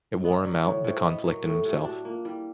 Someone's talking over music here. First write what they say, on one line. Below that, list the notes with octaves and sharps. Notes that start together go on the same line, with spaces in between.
It wore him out, the conflict in himself.
B3 D#5
F#3 D5
A2 C#5
A2 C5
B3 D#5
F#3 A#4
A2 A4
A2 G4
D4 F#4
A#3 F4
G3 E4